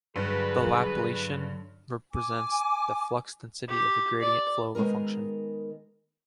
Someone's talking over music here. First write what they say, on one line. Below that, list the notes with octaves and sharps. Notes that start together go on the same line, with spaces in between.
The Laplacian represents the flux density of the gradient flow of a function.
G2 D3 F#3 G#4 B4
G#5 D6
G4
D5
D#3 G#3 B3 G#4 A#4